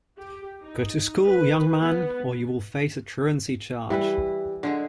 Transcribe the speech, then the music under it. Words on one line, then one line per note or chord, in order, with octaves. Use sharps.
Go to school, young man, or you will face a truancy charge!
G4
D#4
B4
B3
E3 G3 E4 B4
D3 G#3 G#4